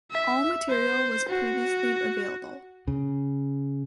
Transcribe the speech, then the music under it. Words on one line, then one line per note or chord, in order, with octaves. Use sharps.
All material was previously available.
E5
C5
F#4
C#3